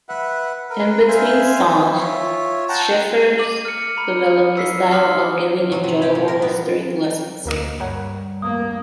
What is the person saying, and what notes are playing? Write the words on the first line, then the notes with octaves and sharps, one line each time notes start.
In between songs Schifter developed his style of giving enjoyable history lessons.
B4 E5 F#5
A#4 B4
C5 E5 F5 G#5
E4
F4 C#5 E5
F#5 G5 A5 A#5
D6 D#7 F#7
F6 C#7
A#5 B5
E6 B6 C7
C6 D6 D#6 F6 C7
F#3
C3
G4
A#2
A#4
B3
D2 A#3 D#5
G2 A#4 C#5 F#5
A#3 D#6